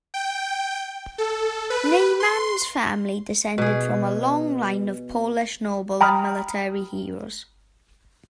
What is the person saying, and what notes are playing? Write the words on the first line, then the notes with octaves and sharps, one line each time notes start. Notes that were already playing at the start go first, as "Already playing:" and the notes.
Neyman's family descended from a long line of Polish nobles and military heroes.
G5
A4
B4
C6
B2 G#4
G5 A#5 B5 D#6 F6